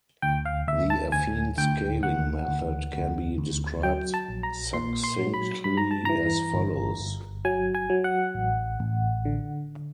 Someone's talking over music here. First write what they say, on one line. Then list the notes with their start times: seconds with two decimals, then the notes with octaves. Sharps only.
The affine-scaling method can be described succinctly as follows.
0.22 D2 G5
0.45 F5
0.68 D2 E5
0.90 A5
1.12 D2 G#5
1.57 D2 G5
2.03 D2 F#5
2.48 D2
2.93 D2
3.38 D2
3.83 F#3 G5
4.14 A5
4.29 A#1
4.43 A#5
4.73 A#2 C6
5.04 C6
5.19 F#3
5.34 B5
5.64 G2 B5
5.77 A#5
5.91 A5
6.05 E3 A#5
6.54 G1
6.99 G1
7.45 F#3 G#5
7.75 G#5
7.90 F#3
8.04 F#5
8.35 A1
8.80 A1
9.25 D3